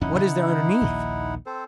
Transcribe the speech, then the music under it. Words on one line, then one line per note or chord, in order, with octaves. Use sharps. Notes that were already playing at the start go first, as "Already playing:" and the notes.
What is there underneath?
D1 F2 C#4 D#4 E4 F#5
C#3
A#1 D#2 D#3
C4 A4 C5